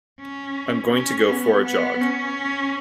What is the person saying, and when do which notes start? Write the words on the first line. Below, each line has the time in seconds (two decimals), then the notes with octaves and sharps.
I'm going to go for a jog.
0.21 C#4
0.93 C#4
1.29 B3
1.65 B3
2.01 C#4